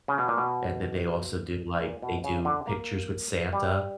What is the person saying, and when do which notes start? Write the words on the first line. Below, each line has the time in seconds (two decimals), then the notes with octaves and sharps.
And then they also do, like, they do pictures with Santa.
0.08 C#3
0.18 B2
0.28 A#2
0.37 B2
1.81 A#2
2.02 B2
2.24 C#3
2.45 D3
2.67 A#3
3.53 G3